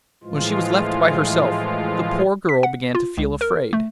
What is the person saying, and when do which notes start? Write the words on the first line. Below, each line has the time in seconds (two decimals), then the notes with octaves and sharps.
When she was left by herself the poor girl began to feel afraid.
0.24 A2 E3 F3 G#3 F4
2.49 B6
2.63 F#5
2.95 F4
3.17 C#2
3.41 A#4
3.73 A3